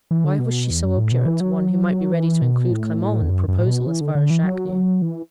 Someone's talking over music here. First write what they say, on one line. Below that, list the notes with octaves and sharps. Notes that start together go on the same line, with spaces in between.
Why was she so obdurate to one who might be ready to include Clement in the proposal, as far as Jacques knew?
E3
D3
B2
E2
F#2
A2
B2
E3
F#3
E3
B2
A2
E2
F#2
F#2
A2
B2
E3
D3
D3
E3
F#3
E3